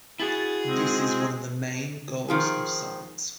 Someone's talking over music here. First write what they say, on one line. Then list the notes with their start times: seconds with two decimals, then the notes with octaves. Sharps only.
This is one of the main goals of science.
0.20 E4 F#4 G#4 A6
0.67 G#3 C4
2.28 D#3 F3 G#4